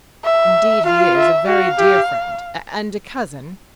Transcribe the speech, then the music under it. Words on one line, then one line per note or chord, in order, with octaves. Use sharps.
"Indeed he is;--a very dear friend and a cousin."
E5
F4 F5
E5
F#4 F5
G4